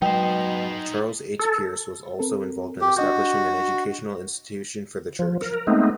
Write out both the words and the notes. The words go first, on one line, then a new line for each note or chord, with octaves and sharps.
Charles H. Pearce was also involved in establishing an educational institution for the church.
B2 F#3 G#3 D#4 C5 G5
A4
C4 A4 A#4
G4
D4 F#4 D#5 G6
F3
A#4
G#3 A3 B3 C4 D#4